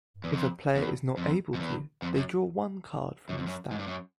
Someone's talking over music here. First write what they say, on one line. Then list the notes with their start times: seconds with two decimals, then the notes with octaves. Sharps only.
If a player is not able to, they draw one card from the stack.
0.24 E2
0.33 F2
0.76 E2
1.17 F2
1.54 F2
1.60 E2
2.02 F2
2.16 F#2
3.29 F#2
3.38 F2
3.47 F#2
3.71 G#2
3.79 G2
3.87 F#2